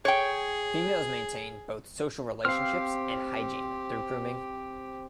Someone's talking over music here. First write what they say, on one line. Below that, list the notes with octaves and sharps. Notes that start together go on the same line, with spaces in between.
Females maintain both social relationships and hygiene through grooming.
G#4 C#5 G5
C4 G4 F5 F6